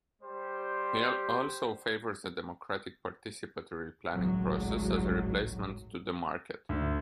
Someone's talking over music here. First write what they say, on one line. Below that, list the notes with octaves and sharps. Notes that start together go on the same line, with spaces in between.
He also favors a democratic participatory planning process as a replacement to the market.
G3 G4 C5
G#1 C#2 A2 F#3
D2